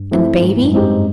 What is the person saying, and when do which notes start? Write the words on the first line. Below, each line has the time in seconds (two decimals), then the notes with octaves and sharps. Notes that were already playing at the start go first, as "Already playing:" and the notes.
And the baby?'
Already playing: G2
0.11 E3 A3 C4 E4
0.41 G#2 E3
0.62 F#2
0.72 G#3 C4 D#4 G4
0.83 G2